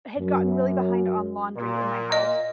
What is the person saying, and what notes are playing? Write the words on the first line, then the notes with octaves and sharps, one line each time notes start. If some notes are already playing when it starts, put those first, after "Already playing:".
had gotten really behind on laundry in my house
F#2
A#2
D#5